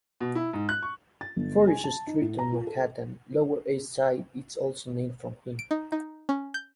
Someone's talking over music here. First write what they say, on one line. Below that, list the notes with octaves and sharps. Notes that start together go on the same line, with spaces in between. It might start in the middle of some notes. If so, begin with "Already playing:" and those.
Forsyth Street on Manhattan's Lower East Side is also named for him.
B2
E4
G#2
F#6
C#6
A6
G1
G#5
A5
D#4
A2
A#5
F4
A4
D7
D#4
D#4
C#4
G6